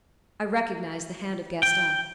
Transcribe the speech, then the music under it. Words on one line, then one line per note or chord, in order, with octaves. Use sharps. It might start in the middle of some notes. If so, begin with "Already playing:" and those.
I recognised the hand of Gaston.
G5